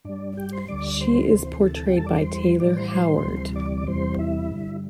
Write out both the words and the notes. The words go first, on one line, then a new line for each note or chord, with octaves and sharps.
She is portrayed by Traylor Howard.
G2 G3 D4 D5
G4 G5
C5 C6
D2 D3 G3 D5 D6
C5 C6
D2 C3 E3
A4 A5
A4 A5
G4 G5
E2 E3 G3 A4 A5
D5 D6
C5 C6
A2 E3 G3 D5 D6
C5 C6
D6
C5 C6
D2 C3 E3 G3
D5 D6
D6
E2 C3 E3 G3 C5 C6
E4 E5
G2 D3 G3